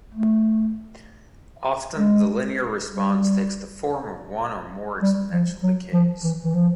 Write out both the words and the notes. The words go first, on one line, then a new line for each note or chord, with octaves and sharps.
Often the linear response takes the form of one or more exponential decays.
A3
G#3
G3
G3
F3
F#3
F3
E3
E3
F3